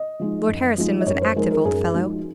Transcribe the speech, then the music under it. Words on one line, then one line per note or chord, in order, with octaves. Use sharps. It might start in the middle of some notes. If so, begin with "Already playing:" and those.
Lord Herriston was an active old fellow.
Already playing: D#5
F3 G#3 D#4
F#2
F3 G#3 D#4
D#5
F#2 C#5
C5
F3 G#3 D#4 A#4
A#4
F#2 G#4
F3 G#3 D#4 F#4